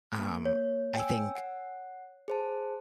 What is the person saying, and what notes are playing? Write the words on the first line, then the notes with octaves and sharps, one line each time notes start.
um, I think
A#3
C#5
G5 G#5 E6
F#5
G#4 C5 A5